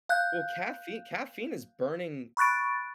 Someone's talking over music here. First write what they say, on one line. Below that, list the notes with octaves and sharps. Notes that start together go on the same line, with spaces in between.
Well, caffei caffeine is burning
F5 F#6 G6
B5 C#6 F#6 A6 D7